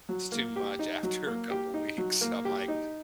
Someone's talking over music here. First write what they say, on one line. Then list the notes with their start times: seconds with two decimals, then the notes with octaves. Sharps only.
It's too much after a couple weeks. I'm like,
0.09 F#3
0.32 A#3
0.56 G4
0.79 D#4
1.03 F#3
1.27 A#3
1.51 G4
1.74 D#4
1.98 F#3
2.21 A#3
2.45 G4
2.68 D#4